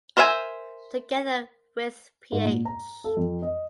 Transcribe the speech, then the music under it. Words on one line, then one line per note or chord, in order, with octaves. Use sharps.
Together with Ph.
A#4 C5 E5 F5 G#5
G#2
A#2
A#5
A4
F2
D#5